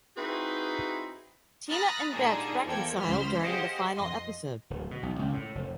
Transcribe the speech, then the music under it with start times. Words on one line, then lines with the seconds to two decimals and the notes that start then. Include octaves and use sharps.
Tina and Bette reconcile during the final episode.
0.17 C4 D#4 E4 F#4 G#4 B4
1.69 A#5 B5 D#6 F6 F#6 A6
2.11 A#2 D3 G3 G#3 D#4 G#4
2.66 E2 F3 A#3 A4 G5 G#6
2.98 C#2 C5 B5 C6 F6
3.42 G4 G#4 C5 D#5 F5 F#5
3.94 F2 D#5 C6
4.70 D1
4.91 B2
5.03 B1
5.19 C#2
5.33 A2
5.55 F1